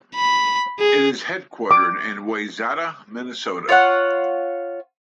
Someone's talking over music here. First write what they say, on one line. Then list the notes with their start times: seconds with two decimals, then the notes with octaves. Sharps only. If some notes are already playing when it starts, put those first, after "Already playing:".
It is headquartered in Wayzata, Minnesota.
0.16 B5
0.80 G#4
1.71 D6
3.69 F4 C#5 F#5